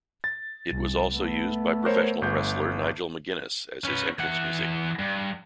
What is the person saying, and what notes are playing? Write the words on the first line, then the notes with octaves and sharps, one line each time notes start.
It was also used by professional wrestler Nigel McGuinness as his entrance music.
A6
C2
A3 B3
A#4 C5 C#5
G1 G6
C#4 B4
E3 F#5
G2